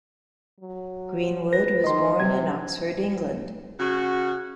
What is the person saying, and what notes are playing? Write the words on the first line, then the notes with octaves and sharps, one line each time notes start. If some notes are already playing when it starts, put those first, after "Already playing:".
Greenwood was born in Oxford, England.
F#3
B4 A#6
D#3 D#5 C6
C3 G#6
C#3 F#4